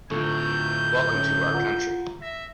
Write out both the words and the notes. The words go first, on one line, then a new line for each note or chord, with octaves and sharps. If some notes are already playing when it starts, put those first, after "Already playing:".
Welcome to our country.
A2 D3 F4 A4 C#6 G6
C#4 C#5
F4 F#5 A#5
E5 A#6